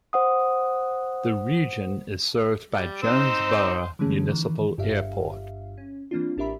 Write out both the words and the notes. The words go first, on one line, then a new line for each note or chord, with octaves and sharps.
The region is served by Jonesboro Municipal Airport.
C5 F#5 D#6
G3
C4 D#4 C5 E6
D3 E3 G#3 A3 C#4 G#4
D#3 E3
G1 G2 G4 E5 F5
C#4
E3 A#3 C4 D4 F4
A1 D4 G4 A#4 E5 B5